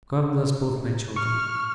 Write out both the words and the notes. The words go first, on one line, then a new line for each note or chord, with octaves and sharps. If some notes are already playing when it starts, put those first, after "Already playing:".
God bless both my children!
C#6 F6